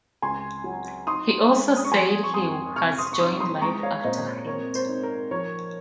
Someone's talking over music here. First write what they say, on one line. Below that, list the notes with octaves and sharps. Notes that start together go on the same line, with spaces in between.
He also said he has joined Life After Hate.
C#2 G#5 C6
F#3
D#4 C6 D#6
G#3
D#6
C#6
F3 G#5 C6
C#6
F2 C6 D#6
C3 C#6 F6
C6 D#6
C#6
D#4 C6 D#6
C6 D#6
G#3 A#5 C#6
C#5 F5
A#2 C5 D#5
C4 A#4 C#5
C5
D#4
A#4
F3 A#4 C#5